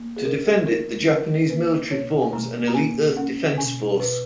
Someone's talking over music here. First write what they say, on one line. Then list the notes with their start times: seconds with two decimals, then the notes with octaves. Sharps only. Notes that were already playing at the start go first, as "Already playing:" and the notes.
To defend it, the Japanese military forms an elite Earth Defense Force.
Already playing: A#3
0.17 G#4
0.25 C#3 A#4
0.66 D#4 A#4
1.08 F3 A#4
1.50 A#3 B4
1.91 B2 C#5
2.22 G#5
2.33 B2 A#5
2.68 A#5
2.74 A#3 G#5
3.17 C#4 F#5
3.58 B2 G#5
3.99 B2 B4